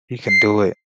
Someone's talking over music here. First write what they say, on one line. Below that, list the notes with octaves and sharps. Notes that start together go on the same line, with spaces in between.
You can do it.
C7